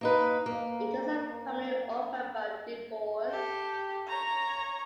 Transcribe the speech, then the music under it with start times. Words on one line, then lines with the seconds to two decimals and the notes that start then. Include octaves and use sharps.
It is a family opera about divorce.
0.01 A#3 D#4 B4
0.46 A#3
3.29 G4 A4
4.08 C#5 A#5